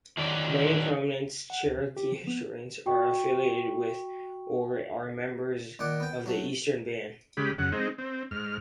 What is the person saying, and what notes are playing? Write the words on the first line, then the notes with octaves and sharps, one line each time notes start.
Many prominent Cherokee historians are affiliated with, or are members of the Eastern Band.
A2 D#3 F#3 D5
F#5
D2
C3
G4
F3
B3
F#4 G5 C#6
A#2 D#3 F#5 D6
B3 G5
F#3 A3
C#3 G#3 G4 B5
F#2 C#3 F#5
G#3 C4 D#4
C4
G#2 F6